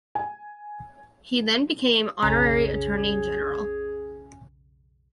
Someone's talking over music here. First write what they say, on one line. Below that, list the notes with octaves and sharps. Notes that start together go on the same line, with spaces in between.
He then became Honorary Attorney General.
G#5
B1 F2 C#3 C#4 G#4 A#5